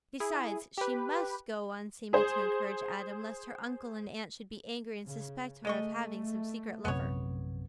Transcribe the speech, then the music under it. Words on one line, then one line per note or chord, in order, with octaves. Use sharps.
Besides, she MUST go on seeming to encourage Adam, lest her uncle and aunt should be angry and suspect her of having some secret lover.
E4 G#4
G4 B4
G#4 C5
C#3
G#3 A3 D#5 C#6
A#1 F#2 C3 B3 C#5